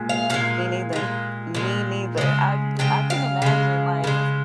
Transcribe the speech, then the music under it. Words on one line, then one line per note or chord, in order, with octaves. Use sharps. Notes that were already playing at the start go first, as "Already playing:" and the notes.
M me neither. Me neither, I I couldn't imagine, like,
Already playing: A#2 G#3
F5
A#2 G#3 F5
A#2 G#3
A#2 G#3
C#3 G#3
C#3 G#3 G5
F5
C#3 G#3
C#3 G#3